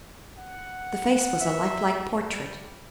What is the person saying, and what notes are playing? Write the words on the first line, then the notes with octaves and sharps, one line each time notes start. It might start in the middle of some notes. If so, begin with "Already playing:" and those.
The face was a lifelike portrait.
F#5
E5
G3